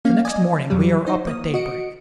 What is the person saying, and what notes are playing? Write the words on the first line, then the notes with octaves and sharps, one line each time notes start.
The next morning we are up at daybreak.
A#3 C#4 F5
D5 D#5 G#5
F2 F#3 G3
D#4 C5
A#3 D#6
F#4 D#5 C#7 D7